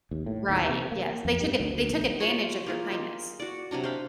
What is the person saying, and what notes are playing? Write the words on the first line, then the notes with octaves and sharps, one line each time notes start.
Right, yes, they took ad they took advantage of your kindness.
D#2
A2
D#2
C3
A#3
F2
G2
D2
D2
A#1
F4 C#5
A#3 F4 G#4
D#5
F#4 D5
C3 F#3 D4 A#5
C5 F5 B5